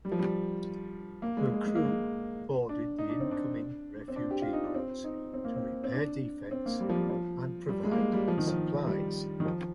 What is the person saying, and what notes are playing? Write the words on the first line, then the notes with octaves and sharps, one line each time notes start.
Her crew boarded the incoming refugee boats to repair defects and provide supplies.
G3
F3
G3
A#3
G#3
G#3
G#3
A#3
G#3
D4
D#4
D4
C4
D4
C4
D4
G4
F4
D#4
D4
C4
D#4
C4
A#3
C4
C4
D4
C4
A#3
G3
F3
G3
F3
G3
G#3
A#3
G#3
G3
F3
D#3
F3
G3
D#3
F3